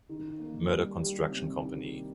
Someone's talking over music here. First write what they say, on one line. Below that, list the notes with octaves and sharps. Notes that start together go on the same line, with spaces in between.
Murdock Construction Company.
D#3
A#3
G3
G3
C3
D#3